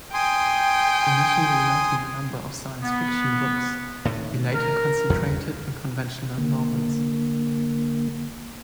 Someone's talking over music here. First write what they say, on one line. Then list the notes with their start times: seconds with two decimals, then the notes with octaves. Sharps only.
Initially writing a number of science fiction books, he later concentrated on conventional novels.
0.14 G5 G#5 C6 D#6
2.82 B3
4.05 A2 C3 D#3
4.53 A#4
5.10 E2 G2 B2
6.37 D3 A#3